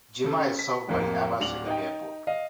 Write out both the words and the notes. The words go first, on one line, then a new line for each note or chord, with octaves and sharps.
Jimma is served by Aba Segud Airport.
C#3 A4
B6
D1 F2 A#3
D1 D4 F7 F#7
D#4 G5
D#5 F5